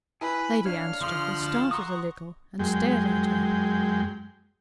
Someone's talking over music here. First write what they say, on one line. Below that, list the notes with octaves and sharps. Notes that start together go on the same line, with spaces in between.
Lady Anstruthers started a little, and stared at her.
E4 B4 G#5
D4 C#5 F5 F6
D3 F3 C6 D#6
D2 A6 E7
F#5 A#5 C6 C#6 D#6
F#2 G#3 G5